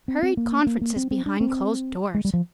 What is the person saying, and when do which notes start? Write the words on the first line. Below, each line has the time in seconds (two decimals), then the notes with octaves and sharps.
Hurried conferences behind closed doors!
0.08 C4
0.23 C4
0.37 A#3
0.67 A#3
0.81 A#3
0.96 C4
1.11 C4
1.26 D4
1.41 C4
2.14 G#3
2.25 G3
2.33 F3